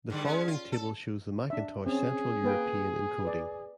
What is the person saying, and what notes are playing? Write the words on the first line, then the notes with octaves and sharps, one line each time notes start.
The following table shows the Macintosh Central European encoding.
G#2 D3 G3
G#3 C#4
F4
A4
D4 E5
C4 C#4 G#4
A#3 B4 G5
B4 D5